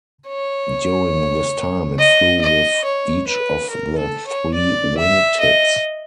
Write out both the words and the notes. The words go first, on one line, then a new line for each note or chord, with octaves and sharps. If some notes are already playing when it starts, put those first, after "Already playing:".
During this time it flew with each of the three wing tips.
C#5
D#5
D#5
C#5
B4
A#4
A4
C#5
D5
E5
D#5